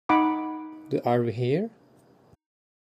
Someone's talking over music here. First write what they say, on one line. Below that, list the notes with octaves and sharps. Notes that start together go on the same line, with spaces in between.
The Are We Here?
D#4 F#5 B5 D6